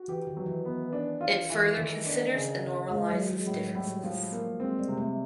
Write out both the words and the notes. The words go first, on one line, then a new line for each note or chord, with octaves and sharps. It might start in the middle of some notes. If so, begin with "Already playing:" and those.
It further considers and normalizes differences.
Already playing: F#4
E3 G4
D#3
F#3
E3
B3
D4
F4
E3
D#3 A3
D4
C#3
C#3
F3 G#3
F#3
G#3
F#3
A2 F3
A2 G3
F3
A#3
G#3 C4
G3
C3
A3